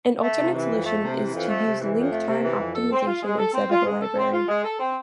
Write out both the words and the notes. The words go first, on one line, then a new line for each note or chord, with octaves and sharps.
An alternative solution is to use link time optimization instead of a library.
A3
C3
E3
F2
A3
C3
E3
F2
A3
C3
E3
F2
A3
C3
E3
F2
A4
C4
F4
G#3
A4
C4
F4
G#3
A4
C4
F4
G#3
A4
C4